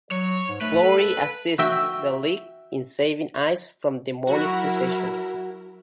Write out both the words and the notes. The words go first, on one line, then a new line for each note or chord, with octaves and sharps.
Glory assists the League in saving Ice from demonic possession.
F#3 C#5
G#2
A3 B4
A4
F#4 E5 G5
F#3 E4 F#4 A#4